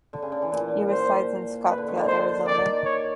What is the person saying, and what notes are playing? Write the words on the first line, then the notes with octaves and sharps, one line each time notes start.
He resides in Scottsdale, Arizona.
D3
C#3
D3
E3
A#2
C5
B4
D3
D#3
D3
C5
D#3 D5
C#5